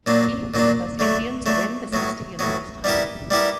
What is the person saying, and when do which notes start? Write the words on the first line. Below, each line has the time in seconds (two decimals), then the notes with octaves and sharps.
He is the first Indian to win this Mister Universe title.
0.06 A#2 F#3 A#3 D4
0.54 A#2 F#3 A#3 D4
0.99 D3 F#3 A3
1.46 D3 F#3 A3
1.93 A2 F#3 B3
2.39 A2 F#3 B3
2.84 G3 B3 E4 G4 A#4
3.31 G3 B3 E4 G4 A#4